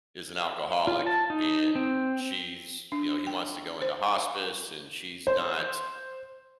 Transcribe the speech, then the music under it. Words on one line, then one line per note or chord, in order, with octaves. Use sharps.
is an alcoholic and she's, you know he wants to go into hospice and she's not
F4
A5
D#4
C4
D4
G5
C5
C5